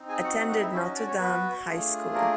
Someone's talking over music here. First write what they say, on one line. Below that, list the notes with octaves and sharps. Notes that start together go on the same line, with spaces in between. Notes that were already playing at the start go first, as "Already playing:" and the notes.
Attended Notre Dame High School.
Already playing: C4 D#4
G#4 G#5
F#4 F#5
F#4 F#5
F#4 F#5
E4 E5
C#4 E4 F#4 E5
D#4 D#5
D4 D5
C#4 C#5
B3 B4
A3 D4 F4 G#4
A#3 A#4